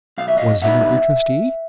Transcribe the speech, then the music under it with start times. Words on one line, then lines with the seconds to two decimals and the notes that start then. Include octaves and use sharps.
'Was he not your trustee?'
0.18 B1 F5
0.28 E5
0.37 D#5 F5
0.62 A#2 G3 B3 D#4 E5 F#5